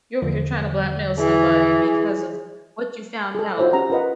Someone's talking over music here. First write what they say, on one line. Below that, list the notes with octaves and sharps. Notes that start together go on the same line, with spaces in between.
You're over here trying to blackmail somebody because of what you found out.
E2 D3 F3
E3 G#4
G#4 A4
D#4 F4 F#4 C5 C#5 E5
C#4 G4 F#5 A#5
F4 A#4 B4 D#5 F#5